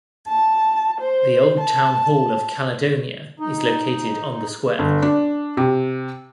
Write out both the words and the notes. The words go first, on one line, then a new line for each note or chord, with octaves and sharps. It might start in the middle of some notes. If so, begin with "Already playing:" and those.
The Old Town Hall of Caledonia is located on the square.
A5
C5
A5
D#4
G1
D4
C3